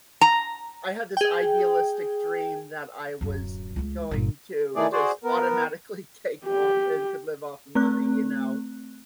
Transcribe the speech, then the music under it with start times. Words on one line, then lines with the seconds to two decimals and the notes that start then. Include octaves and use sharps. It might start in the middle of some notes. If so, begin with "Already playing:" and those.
I had this idealistic dream that I was going to just automatically take off and could live off the money, you know,
0.21 A#5
1.17 G#4 G5
3.21 D1 F#2
3.76 C#2 A3
4.11 G1 A#2
4.76 D#3 E3 A3 G#4 D5
4.92 F#4 G#4 C5 D5
5.24 B3 A#4
6.46 G4
7.75 A3 C4 F#6